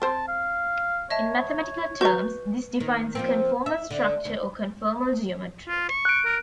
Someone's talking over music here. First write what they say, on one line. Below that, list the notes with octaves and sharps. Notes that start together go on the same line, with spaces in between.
In mathematical terms, this defines a conformal structure or conformal geometry.
C4 C5 A5
F5
C#5 D#5 E5 A5
F#4 B4 A#5 C#6 G6
D#3
F3 A#3 C4
E5
D3
D2
F4
C#6
F#6 D7
A#4